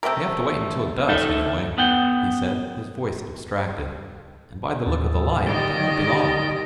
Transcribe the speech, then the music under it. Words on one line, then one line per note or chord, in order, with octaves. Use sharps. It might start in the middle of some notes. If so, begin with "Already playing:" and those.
"We have to wait until dusk anyway," he said, his voice abstracted, "and by the look of the light that won't be long."
C3 A3 G4 A#4
D#4 A4 E5
B3 F#5 G5
D#2 A2
D3 D#3 G3 G4 D#5